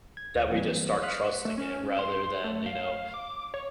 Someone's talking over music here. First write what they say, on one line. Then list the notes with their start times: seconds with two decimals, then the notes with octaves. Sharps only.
that we just start trusting it, rather than, you know
0.17 G#6
0.35 D2
0.50 E3 F#3 G3 A#3 C4
1.02 F5 C6 D#6 F6 F#6 B6
1.45 A3
1.58 C#4
1.99 C6
2.44 A3
2.66 F5
3.14 D6
3.54 C#5